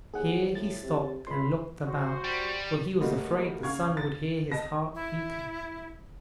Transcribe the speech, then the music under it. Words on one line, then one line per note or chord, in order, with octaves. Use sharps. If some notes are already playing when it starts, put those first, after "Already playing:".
Here he stopped and looked about, for he was afraid the Sun would hear his heart beating.
D#2 G#4 F#5
F3
A2 A6
C3
C#2 B5 C6
F#4 C5
G3
G3 A3 A#3 F4 F#4 D#5
C#3 F5 C#6 G#6
A6
D#5 A5 A#6
E4